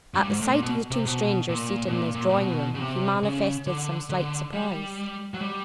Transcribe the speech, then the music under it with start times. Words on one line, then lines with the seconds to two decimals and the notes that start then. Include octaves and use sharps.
At the sight of the two strangers seated in his drawing-room, he manifested some slight surprise.
0.14 F#2
0.19 G2
0.30 G#2
0.41 A2
0.51 A#2
0.62 B2
0.91 C3
1.06 B2
1.49 A#2
1.88 B2
1.92 A#2
2.15 A#2
2.29 A#2
2.37 B2
2.75 C#3
2.80 C3
3.23 C#3
3.67 D3
4.10 D3
4.54 G3
5.34 F#3
5.41 G3